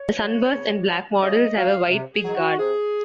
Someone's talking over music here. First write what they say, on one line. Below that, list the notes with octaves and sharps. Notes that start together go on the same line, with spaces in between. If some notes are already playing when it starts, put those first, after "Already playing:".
The sunburst and black models have a white pick guard.
Already playing: C#5
F#3
C#3
F#3
C#3 D#5
F#3 F5
C3
G#4
D#3 F#3
F#4
C3 G#4